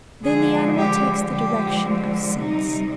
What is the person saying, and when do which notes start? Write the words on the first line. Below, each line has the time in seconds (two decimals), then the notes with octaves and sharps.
Then the animal takes the direction of sense.
0.23 D3 F3 G#3 G#4
0.77 G4
1.30 D3 F3 G#3 G4
2.39 C3 G3 D#4